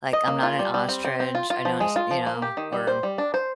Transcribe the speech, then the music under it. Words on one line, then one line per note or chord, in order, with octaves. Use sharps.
like, I'm not an ostrich, I don't s you know, or
D#5
A#3
F4
G3
G3
C4
C4
C4
F4
F4
F3
G#3
F4
F3
A#3
G4
D#3
G3
C5
G3
D4
C5